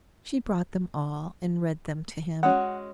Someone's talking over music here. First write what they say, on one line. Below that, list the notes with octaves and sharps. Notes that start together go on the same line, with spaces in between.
She brought them all, and read them to him.
G#3 C#4 F#4 F#5